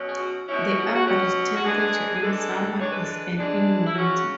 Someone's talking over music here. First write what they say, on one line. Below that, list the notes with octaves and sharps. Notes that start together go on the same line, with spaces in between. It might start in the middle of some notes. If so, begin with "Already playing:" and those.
The average temperature in summer is and in winter.
Already playing: B2 F#3 C#4
G#4
F#4
B2 F#3 C#4 E4
F#4
G#4
F#4
B2 F#3 C#4 F#4
F#4
E3 G#3 D4 G#4
G#4
E3 G#3 D4 A4
E3 G#3 D4 C#5
B4
A4
B4
E3 G#3 D4
E4
C#3 F#3 C#4 F#4